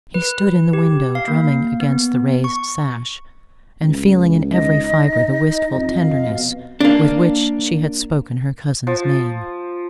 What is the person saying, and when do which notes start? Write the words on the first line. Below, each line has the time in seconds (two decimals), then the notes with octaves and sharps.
He stood in the window, drumming against the raised sash, and feeling in every fibre the wistful tenderness with which she had spoken her cousin's name.
0.14 B4
0.73 G4
1.15 F5
1.28 A#3
1.80 B3
2.44 C#6
3.82 C#2
4.51 D#4 D#5
5.75 F2
5.94 D#5 F5
6.30 B2
6.81 A#3 D4
8.87 F3